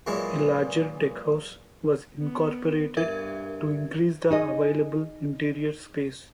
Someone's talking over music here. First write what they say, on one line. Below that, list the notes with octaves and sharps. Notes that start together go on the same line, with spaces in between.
A larger deckhouse was incorporated to increase the available interior space.
A#2 E3 F#3 G#3
B3
G2 A#4 E5 G#6
D#4 G#4 D#5